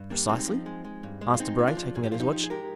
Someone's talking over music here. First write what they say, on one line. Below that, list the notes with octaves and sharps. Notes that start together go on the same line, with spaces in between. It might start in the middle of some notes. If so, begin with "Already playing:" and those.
"Precisely?" asked Debray, taking out his watch.
Already playing: G2
G3 A#3 D4
G#3 C4 D#4
F3
G#3
G#3
G2
G#3
F4
G#3 C4 D#4
G#3
D4 F4
F3
G#2 G#4
G4
F3 F4
D#4 G4
F3
G#4
G#3 G4 A#4